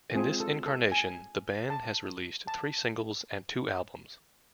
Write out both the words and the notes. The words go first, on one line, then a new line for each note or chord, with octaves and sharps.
In this incarnation, the band has released three singles and two albums.
G#3 C4 F4 G#4
A4
A4
G#5
A5
A5